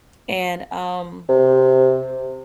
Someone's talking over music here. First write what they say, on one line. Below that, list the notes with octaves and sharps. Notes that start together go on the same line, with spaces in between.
And, um,
C3